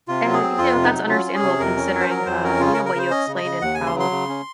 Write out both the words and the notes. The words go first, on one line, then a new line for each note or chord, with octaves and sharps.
And, you know, that's understandable considering, uh, you know, what you explained and how
C3 F4
F#3
G#4
C4
F2 F4
C3
D#4
F#3
C#4 F4
C#4
G#4
C3
F2 A#4
C#4
F#3
C5
F#3 A#4
F2 C5
C#4 A#4
C#3 F4
A#4
C#3
A#4
C#3 C5
C#4 D#5
C#3
D#5
C#3
D#2 F#5
C#3 G#5
C6
F#3
C6
C#3
C#4